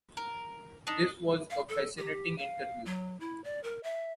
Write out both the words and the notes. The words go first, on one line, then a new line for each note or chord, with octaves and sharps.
This was a fascinating interview.
A#4
D4 D#4
F5
A4
G4
F5
F#3
E4
D5
A#4
E5